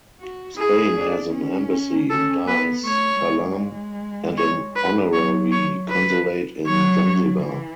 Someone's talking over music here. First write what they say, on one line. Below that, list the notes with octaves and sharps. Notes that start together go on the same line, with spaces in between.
Spain has an embassy in Dar es Salaam and an honorary consulate in Zanzibar.
F#4
E4 G#4
D4
C#4
C#4 A4
B3 B4
A3 C#5
G#3
C#5
B4
F#3 C#5
C#5
B4
F#3 C#5
E3